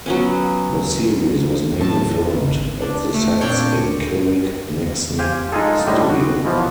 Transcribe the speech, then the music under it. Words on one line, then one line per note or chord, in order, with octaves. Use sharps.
The series was mainly filmed at the sets in Killick Nixon studio.
F#3 B3 C#4
A2 A5
G#1
D4
A3
A#2 C4 D4 C#5 G5 C#7
G4 C5 F5 G5 G#5
G#3 D#4 F4 G#4 A4
A2 D3 G3 C5 D#5
F#4
B2 E3 F3